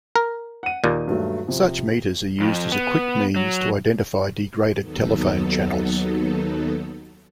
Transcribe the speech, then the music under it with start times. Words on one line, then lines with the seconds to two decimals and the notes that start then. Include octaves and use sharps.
Such meters are used as a quick means to identify degraded telephone channels.
0.16 A#4
0.63 F#5 D#7
0.84 D#2 A#2 D#4
1.08 G2 F#3 A3
1.47 C3 F3
2.40 F2
2.72 B3
3.36 F#3
4.79 D#2 F#3 B3 D#4 A4